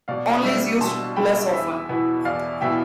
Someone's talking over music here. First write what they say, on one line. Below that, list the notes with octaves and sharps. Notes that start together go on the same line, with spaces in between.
Only is used less often.
B2 D5 F5
G3 D4 E5
B2 A5 C6
G3 D4 G5 B5
E2 E5
B2 B3 E4
E2 D5 F5
B2 B3 E4 E5 G5